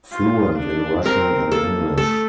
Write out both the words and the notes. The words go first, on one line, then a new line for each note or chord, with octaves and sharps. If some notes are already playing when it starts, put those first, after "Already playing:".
Fluent in Russian and English.
F4
D4
C4 A#4
A#3 A4
A3 A4